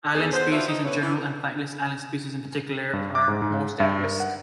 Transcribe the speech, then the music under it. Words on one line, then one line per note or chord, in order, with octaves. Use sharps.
Island species in general, and flightless island species in particular are most at risk.
E2 G#4 A4
B3 F4 B4 C5
D4 F4 F#4 B4 D5 E5
D#4
G2 B2 D3 B4 C#5
E3 E4
G2
D6
G#2
G#2
G2
A#4
F#5